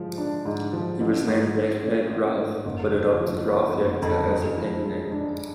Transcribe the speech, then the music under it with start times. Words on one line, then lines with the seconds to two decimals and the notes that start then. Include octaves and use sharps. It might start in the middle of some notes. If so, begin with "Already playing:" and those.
He was named Mehmed Rauf but adopted Rauf Yekta as a pen name.
Already playing: F3 G#3
0.18 D4
0.46 G#2
0.73 F3
1.00 A1
1.28 G#2
1.55 F#3
1.82 C#4
2.10 A1
2.38 G#2
2.65 F#1
2.93 F2
3.20 F3
3.48 B3
3.75 F#1
4.02 F2
4.30 F#2
4.57 F3
4.85 G#3
5.12 D4